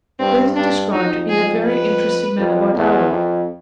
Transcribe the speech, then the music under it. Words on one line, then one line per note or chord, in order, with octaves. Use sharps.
These are described in a very interesting manner by Darwin.
G2 C4
G2 D4
F2 D#4
G#4
B4
F2
E2
F2